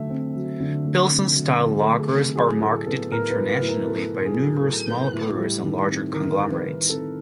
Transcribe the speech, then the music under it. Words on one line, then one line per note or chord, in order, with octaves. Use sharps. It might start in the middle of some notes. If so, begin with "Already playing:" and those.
Pilsen style lagers are marketed internationally by numerous small brewers and larger conglomerates.
Already playing: D3 F#3 A3 E5
C4
F#3
D3
A3
C4
F#3
D3
A4
A3
G#4
C4
A4
F#3 G#4
A2 A4
B3 A4
A2 A#4
B4
F#3
B4
A2
A#4
B3 A4
A2
G#4
F#3
A2 A4
B3
A2
G3
D#3
C4
D#3 A#4
G3
B4
D#3
C4 A4